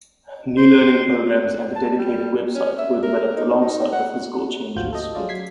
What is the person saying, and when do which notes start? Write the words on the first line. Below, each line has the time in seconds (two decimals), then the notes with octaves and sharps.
New learning programmes and a dedicated website were developed alongside the physical changes.
0.57 C5
1.76 A5
1.98 G3
2.55 C#4
2.78 E5
3.03 A#4
3.37 D#4
3.62 D#4
3.92 F#5
4.76 G#1 D2 F3 F4 F#4 G6
4.90 A3 A4 D#5
5.15 F#3 G#3 C#4 F4 D5
5.29 F#3 G#6 B6 C7